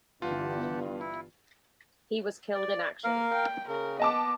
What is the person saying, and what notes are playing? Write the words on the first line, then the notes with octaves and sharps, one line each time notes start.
He was killed in action.
G1 G2 E3 B3 F4 G4 F#5 A5
E4
D5
A#3 A#4 F5
G5
C#3 A#4
B3 D#5 A5 D6